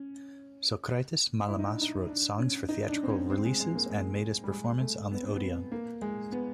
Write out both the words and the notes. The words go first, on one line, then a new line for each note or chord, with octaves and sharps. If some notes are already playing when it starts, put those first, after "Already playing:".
Sokratis Malamas wrote songs for theatrical releases and made his performance in the odeon.
Already playing: C#4
E4
D#4
D4
D#4
D4
C#4
D#4
D4
C4
C#4
C4
G#3
G#3
A#3
G#3
G3
G#3
A3
B3
C4
B3
A#3
G#3
B3